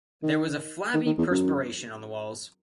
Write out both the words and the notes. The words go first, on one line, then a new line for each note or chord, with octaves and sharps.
There was a flabby perspiration on the walls.
D#3
D#3
D#3
E2
F#2